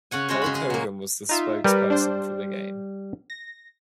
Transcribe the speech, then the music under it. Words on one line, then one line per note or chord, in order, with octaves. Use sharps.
Hulk Hogan was the spokesperson for the game.
C#3 C#5 F#5 G#5
G#3 C#4 F#4 C5
C#3 G#4 B5
G#4
F#3 A#3
D#4 F4 E5
G3 G4 A#4 B4
D4 C5
A#6